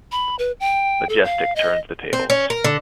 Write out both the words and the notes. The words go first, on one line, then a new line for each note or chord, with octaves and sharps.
Majestyk turns the tables.
B5
B4
G5
A4
F5
D#5
C4
C#4
A#4
D3